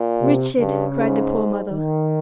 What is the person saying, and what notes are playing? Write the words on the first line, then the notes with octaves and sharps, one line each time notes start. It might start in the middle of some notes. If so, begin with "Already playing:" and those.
"Richard!" cried the poor mother.
Already playing: A#2
C3
G2 C#3
G#2
D#3